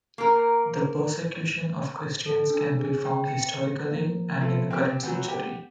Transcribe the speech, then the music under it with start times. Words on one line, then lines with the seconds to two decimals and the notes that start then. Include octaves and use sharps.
The Persecution of Christians can be found historically and in the current century.
0.18 A#3 A#4
2.26 A4
2.50 D4
2.79 G#4
3.05 G5
3.28 C#7
3.91 F3 A#3
4.40 E4 F4 A4
4.71 C4 G4
5.03 E3 F#3 F#5 G6
5.28 G4